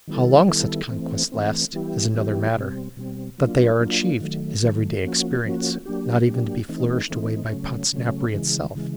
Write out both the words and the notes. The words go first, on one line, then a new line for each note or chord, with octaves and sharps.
How long such conquests last, is another matter; that they are achieved, is every-day experience, not even to be flourished away by Podsnappery itself.
D#3 G3 B3 E4 A4
D#3 G3 B3 E4 A4
E3 A3 C4
E3 A3 C4
E3 G3 B3 E4 G4
E3 G3 B3 E4 G4
B2 G3 C4
B2 G3 C4
F#3 A#3 D4 F4
F#3 A#3 D4 F4
D#3 F#3 A3
D#3 F#3 A3
F3 A#3 C#4 F#4
F3 A#3 C#4 F#4
F#3 A#3 D4 G4
F#3 A#3 D4 G4
E3 A3 C4 D#4
E3 A3 C4 D#4
C#3 F#3 A3 C#4
C#3 F#3 A3 C#4
C#3 E3 G#3
C#3 E3 G#3